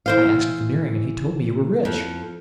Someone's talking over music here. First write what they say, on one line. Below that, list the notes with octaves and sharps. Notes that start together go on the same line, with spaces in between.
'I asked Veneering, and he told me you were rich.'
E3 C5 F5
F2